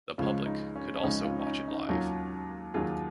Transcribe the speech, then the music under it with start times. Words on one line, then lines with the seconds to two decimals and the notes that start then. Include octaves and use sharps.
The public could also watch it live.
0.18 C#2 C#3 F3 G#3 C#4 F4
0.46 D#4
0.76 C#4
0.96 C#4
1.03 C#2 C#3 F3 G#3 D#4
1.25 C#4 F4
1.41 C#4
1.46 D#4
1.68 D#4
1.88 D#2 D#3 F#3 C#4 F4
2.74 D#2 D#3 F#3 F4 G#4